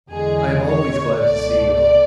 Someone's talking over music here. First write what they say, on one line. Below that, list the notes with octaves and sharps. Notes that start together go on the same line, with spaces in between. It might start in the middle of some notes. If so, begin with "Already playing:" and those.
"I am always glad to see you."
E2 D3 G#3 G#4
C#5
C#2 B2 A3 D5
D5